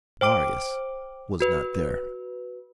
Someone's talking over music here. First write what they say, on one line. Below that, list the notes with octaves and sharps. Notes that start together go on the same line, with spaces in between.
Marius was not there.
C5 G5 D6 D7
F#4 B4